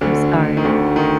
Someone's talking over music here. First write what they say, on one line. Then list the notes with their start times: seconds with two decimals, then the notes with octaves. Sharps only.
I'm sorry.
0.01 D2 D3
0.57 D#3
0.64 D2 D3
0.96 D#3